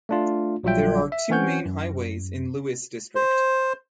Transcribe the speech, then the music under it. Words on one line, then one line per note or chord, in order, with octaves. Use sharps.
There are two main highways in Lewis District.
A3 D4 F4
A#1 F#3 G3 F4 E5 G5
E5
E3 C4 C#4 C#5 F#5 G6
F#2
C5